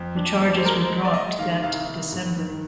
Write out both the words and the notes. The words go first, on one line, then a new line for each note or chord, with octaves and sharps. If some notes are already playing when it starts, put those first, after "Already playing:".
The charges were dropped that December.
Already playing: F2
D4
F2
C5
G#3 A#4
C5
G#3
D5
G#3 D#5
D#3 F5
C2 F5
D#3
G2
D#3